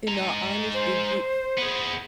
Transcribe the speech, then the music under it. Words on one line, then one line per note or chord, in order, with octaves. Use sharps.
in all honesty, be
G#3 A#5
C5
B3 G#4